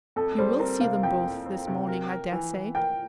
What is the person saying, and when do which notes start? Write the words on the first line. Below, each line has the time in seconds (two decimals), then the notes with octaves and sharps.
You will see them both this morning, I dare say.
0.16 F2 A4
0.38 G3 C5
0.59 C4 A#4
0.81 C3 F5
1.03 F2 G5
1.25 F2
1.46 C4
1.67 C3
1.88 A#4
2.10 A#4
2.32 E3
2.54 E3
2.75 A#4 G5